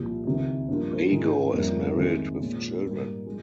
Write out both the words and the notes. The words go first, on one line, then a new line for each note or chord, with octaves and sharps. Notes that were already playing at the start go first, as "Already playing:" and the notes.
Bago is married with children.
Already playing: C2 A#2 F3
C#2 C3 D#3
G2 F3 A#3 F4
G#2 D#3 G#3 D#4
F2 C3 G3 A#3 C#4
C2 C3 D#3 G#3 C#4
A#2 G#3 C#4
G#2 G3 A#3
F3 G#3